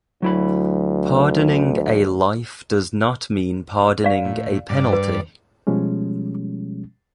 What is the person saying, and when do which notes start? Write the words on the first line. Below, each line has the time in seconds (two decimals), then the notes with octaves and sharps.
Pardoning a life does not mean pardoning a penalty.
0.22 D2 F#3 E4 B5
4.04 D5 F5
4.25 A2
4.69 G2 D5
4.93 B4
5.67 B2 F3 G3 G#3 C#4